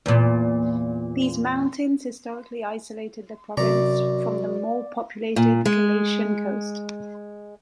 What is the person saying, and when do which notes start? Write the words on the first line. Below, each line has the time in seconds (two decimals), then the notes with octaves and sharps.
These mountains historically isolated the province from the more populated Galician coast.
0.06 E2 A#2
3.57 F#2 C3 D5 A#5
5.36 A#2
5.66 G#3